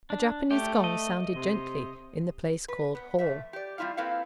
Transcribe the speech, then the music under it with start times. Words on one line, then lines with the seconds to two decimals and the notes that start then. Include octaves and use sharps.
A Japanese gong sounded gently in the place called hall.
0.10 D4
0.51 A3 G4
0.84 D#5
1.35 C3
2.68 B4
2.95 B3
3.19 F2 A3 E5
3.53 G4 D5
3.78 G3 C4 E4 F4 F5
3.97 A#3 C4 E4 A4 B4 F5